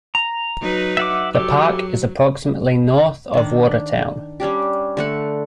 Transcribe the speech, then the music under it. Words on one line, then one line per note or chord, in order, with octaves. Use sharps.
The park is approximately north of Watertown.
A#5
F#3 D#4 B4
E5 F#5 D6
F#3 G4 A4
D#3 D4
G3 C#4 D4 G4
D3 A3 F#5